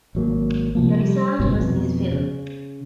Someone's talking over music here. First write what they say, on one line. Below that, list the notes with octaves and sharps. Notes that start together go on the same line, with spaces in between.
The result was this film.
G#1 F#3 A#3
C3 F3 A#3
G3
G1 C2 G#2 B2
F2 B2
C#3